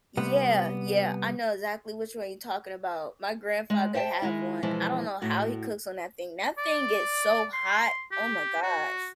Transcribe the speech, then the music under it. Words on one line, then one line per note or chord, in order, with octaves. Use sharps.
Yeah, yeah. I know exactly which one you're talking about. My grandfather have one, I don't know how he cooks on that thing, that thing gets so hot, oh my gosh.
C3 G3 B3 F#5
G#3
C5 E5 G5 A5
D#3 G#3 E4
B2 E3 F3 G#3 E4
A2 F#4
D5
C6
G4
F#4